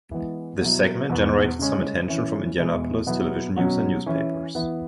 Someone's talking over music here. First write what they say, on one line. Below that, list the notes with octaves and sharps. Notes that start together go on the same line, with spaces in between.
This segment generated some attention from Indianapolis television news and newspapers.
E3 G#3 B3
B2 F#3 E4
E2 B2 B3 F#4
C#3 G#3 C#4
E3 C#4 E4
E2 B2 G#3 E4
B2 F#3 B3 E4
B2 F#3 C#4 F#4
E3 C#4 E4
E3 B3 E4